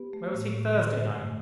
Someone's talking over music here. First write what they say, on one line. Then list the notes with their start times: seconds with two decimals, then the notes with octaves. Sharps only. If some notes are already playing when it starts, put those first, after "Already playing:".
Where was he Thursday night?
Already playing: B3 G4 B4
0.13 A3
0.34 A2
0.55 A2
0.75 D3
0.94 G2
1.15 A3